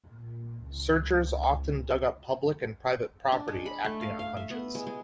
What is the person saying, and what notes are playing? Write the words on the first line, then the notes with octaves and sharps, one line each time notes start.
Searchers often dug up public and private property acting on hunches.
A#2
C#2
D4
G#3
B5
A3
F5
F5
E5
B3
G#3
G#3